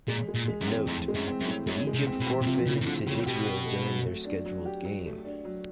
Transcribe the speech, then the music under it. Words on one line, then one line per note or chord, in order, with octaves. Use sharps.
"Note:" Egypt forfeited to Israel during their scheduled game.
A#2 G#3
G#3
A#2
G#3
F#2
C4
F2 A2
G#3
F#2
C4
F#2
A2
F#2 G#3
G#3
C3
C4
B2
C4
B2
C3 F3
A2 C#3
D#3
D3 F3
C#3 C4
B2 G4
G4
A3
F#3
A3
D4
F#3
G4
F#3
A3
D4
F#3